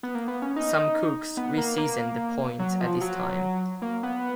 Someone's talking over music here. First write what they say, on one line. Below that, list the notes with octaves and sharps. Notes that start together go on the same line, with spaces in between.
Some cooks re-season the point at this time.
B3
A#3
B3
C#4
D#4
B3
A#3
A#3
F#3
F3
F#3
A#3
B3